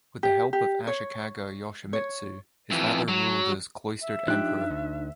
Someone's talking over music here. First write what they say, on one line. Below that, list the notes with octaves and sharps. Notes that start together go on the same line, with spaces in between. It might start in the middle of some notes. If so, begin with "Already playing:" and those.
With the help of Ashikaga Yoshimitsu, his father ruled as Cloistered Emperor.
G4
G4
C#5
C#5
F2 E3
F#3
E5
F3 D4 D#4 G4 F#6
D2